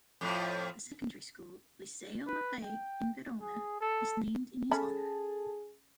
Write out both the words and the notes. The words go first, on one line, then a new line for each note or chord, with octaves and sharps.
The secondary school 'Liceo Maffei' in Verona is named in his honour.
F2 A2 F3
B4
G5
G#4
A4
C#4 G#4 A4 A5 B5